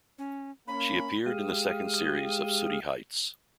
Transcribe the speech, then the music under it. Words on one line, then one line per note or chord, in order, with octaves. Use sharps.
She appeared in the second series of "Sooty Heights".
C#4
A#3 C#4 B5
G#3 G4 F5 D#6